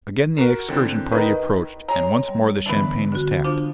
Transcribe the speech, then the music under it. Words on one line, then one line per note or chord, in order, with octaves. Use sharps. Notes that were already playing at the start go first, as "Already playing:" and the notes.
Again the excursion party approached, and once more the champagne was tapped.
F#4 A#4
D3 E3 C4
D#3 D#4 A#4 B4
G#3 C#5 A#5
G3
D3 E3 B3 D4 B4
D3 F#4
F3 D4